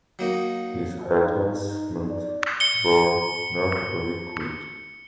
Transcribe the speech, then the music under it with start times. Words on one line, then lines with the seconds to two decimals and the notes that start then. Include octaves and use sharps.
His advancements were notably quick.
0.19 F#3 A#3 D#4
1.22 D#4
2.10 D5
2.60 C#7 G7